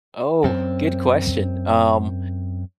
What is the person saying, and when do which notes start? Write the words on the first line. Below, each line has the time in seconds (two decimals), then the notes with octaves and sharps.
Oh, good question, um,
0.44 F#2 C4